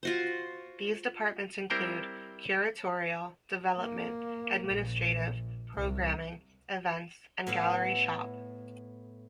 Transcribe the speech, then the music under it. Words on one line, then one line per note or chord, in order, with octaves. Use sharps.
These departments include: Curatorial, Development, Administrative, Programming, Events and Gallery Shop.
F4 F#4 C5
G3 C4 E4 A#4 C5 G5
A#3
A#1
C2
A2 B3 E4 F5 F#5